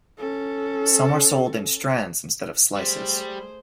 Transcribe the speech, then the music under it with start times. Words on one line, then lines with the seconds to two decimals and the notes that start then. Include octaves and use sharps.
Some are sold in strands instead of slices.
0.18 C#4 A4
2.75 G3 A3 G#4 C5